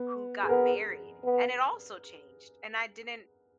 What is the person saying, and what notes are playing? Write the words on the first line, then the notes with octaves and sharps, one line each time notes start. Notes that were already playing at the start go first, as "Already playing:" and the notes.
who got married, and it also changed, and I didn't
Already playing: B3
G#4
B3 A#4
B3